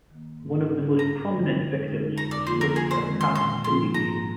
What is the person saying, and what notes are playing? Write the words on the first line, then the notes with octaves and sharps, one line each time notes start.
One of the most prominent victims was solicitor Pat Finucane.
D#3 A#3
G#2
G3 C4
G2 A#5
D3 G#3
F2
D3 G#3 D#4 G#4
F2 A#5
D5
D3 F3 A#3 F4 C5
A#4
F2 G#4
C5
D#3 G#3 C4
C6
A#2 C6
F3 A#3 F4 G#4 C6
G#2 A#5